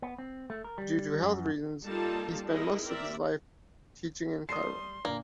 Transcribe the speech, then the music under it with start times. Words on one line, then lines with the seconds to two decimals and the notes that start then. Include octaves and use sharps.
Due to health reasons, he spent most of his life teaching in Cairo.
0.02 B3
0.18 C4
0.50 A3
0.64 A#4
0.78 G3
1.22 F#2
1.85 G3 A#3 D#4 F4 A4 A5
2.47 D#4 E4 G#4 A#4 D#5
2.84 C4 A#4 D5 E5
4.49 G3 A3 A5 C6 D#6 C7
5.05 A#2 D3 A#3 D5 F5 A#5